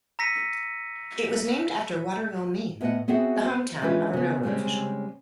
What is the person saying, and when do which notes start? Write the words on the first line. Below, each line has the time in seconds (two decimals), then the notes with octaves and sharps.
It was named after Waterville, Maine, the hometown of a railroad official.
0.19 A#5 E6 A#6 B6 C#7 D#7
2.81 A2 B3 B4 C#5 D#5 F#5
3.08 B3 C4 F#4 G#4 E5 F#5
3.46 C5
3.82 E3 G#3 C#4 D4 F4 B4
4.13 C#3 B3
4.43 C#3 G3 G#3 C4 C#4